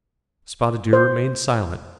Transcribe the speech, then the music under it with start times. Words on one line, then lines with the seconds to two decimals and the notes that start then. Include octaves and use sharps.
Spotted Deer remained silent.
0.93 C5